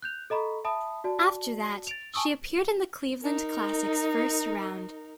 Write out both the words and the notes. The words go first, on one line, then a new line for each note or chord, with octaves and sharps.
After that she appeared in the Cleveland Classic's first round.
F#6 G6 F7
A4 D#5 A#5 B5 C#6
E5 A5 B5 D#6
F#4 D5 A5
A6 D7 F7
G#5 A5 C#6 D#6 E6
D#4 A#4